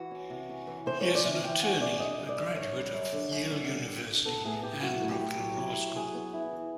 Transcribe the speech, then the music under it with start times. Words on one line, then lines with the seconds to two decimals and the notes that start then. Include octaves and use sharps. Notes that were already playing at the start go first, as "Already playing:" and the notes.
He is an attorney, a graduate of Yale University and Brooklyn Law School.
Already playing: E3 F#4
0.11 C#4
0.30 C3
0.49 C#4
0.67 E3
0.86 C3 C5
1.01 C#4 C#5
1.15 D5
1.24 C3
1.43 E3 G5
1.63 C#4 F#5
1.80 C3 D5
2.00 D3 D#5
2.19 G3
2.29 D5
2.37 F#2
2.56 D3 C#5
2.76 G3
2.94 F#2
3.13 D3
3.32 F#2
3.51 D3
3.69 G3
3.88 D3
4.07 D3
4.26 B3 A4
4.44 A2 G#4
4.63 E4 G4
4.82 F#3 F#4
5.01 A2
5.11 G4
5.20 A2
5.40 F#3
5.58 E4
5.77 F#3
5.96 F#3 G#4
6.14 B3
6.33 E4
6.52 E3